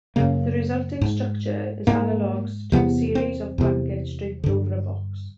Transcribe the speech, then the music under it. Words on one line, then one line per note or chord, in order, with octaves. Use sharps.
The resulting structure is analogous to a series of blankets draped over a box.
F#2 C#3 A#3
G#2
G#2 A#3
E2 C3 B3
C4
E2 C3
G2 D3